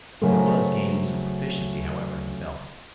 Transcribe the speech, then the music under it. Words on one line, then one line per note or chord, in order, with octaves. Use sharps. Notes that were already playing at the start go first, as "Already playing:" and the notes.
He was gaining some proficiency, however, he felt.
C#3 F#3 A3 A#4 C5